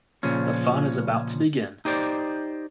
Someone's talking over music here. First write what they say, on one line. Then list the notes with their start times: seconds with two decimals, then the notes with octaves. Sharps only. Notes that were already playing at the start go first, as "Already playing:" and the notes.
The fun is about to begin.
0.23 A#2 C#3 F3 C#4
1.85 D#4 G4 C5 D5